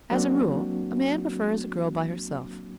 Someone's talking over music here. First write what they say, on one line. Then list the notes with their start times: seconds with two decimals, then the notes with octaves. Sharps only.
As a rule, a man prefers a girl by herself.
0.11 F#3 A#3 C4 D4 F#4